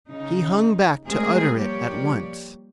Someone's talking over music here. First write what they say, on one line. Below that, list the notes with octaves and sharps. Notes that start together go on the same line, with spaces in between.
He hung back to utter it at once.
C#3 D#4
G#3 A3 C4 G#4 A#4
F3 G3 A#3 G4 C#5 D5